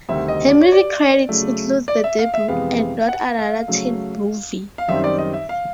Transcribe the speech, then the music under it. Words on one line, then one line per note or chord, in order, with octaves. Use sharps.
Her movie credits include "The Debut" and "Not Another Teen Movie".
D2 C3 D#3 G3 C4 E5
D#5
D5
C#5
D5
C#3 F#3 A3
D5
E5
F5
E5
F2 C3 E3 G#3 B3 F5
F#5
F5
C#3 F#3 A3
F5
F#2 D#3 G3 C4 D#4 E5
D5
D#5
E5
F5